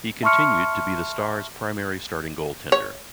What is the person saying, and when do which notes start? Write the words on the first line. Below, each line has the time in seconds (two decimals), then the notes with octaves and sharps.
He continued to be the Stars' primary starting goaltender.
0.23 E5 A5 C6 C#6 F6 C#7
2.72 C#5